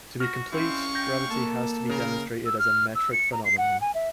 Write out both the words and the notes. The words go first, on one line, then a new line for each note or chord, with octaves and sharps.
To be complete, gravity has to be demonstrated as a metric phenomenon.
F#4 F6 A#6
G#3 C4 C#4 E4 F5 C#6
G5 G6 A#6
A#3 A4
C#3 A#4
E6
F6
E6
C#7
A#5
C7
F#5
G#5
E5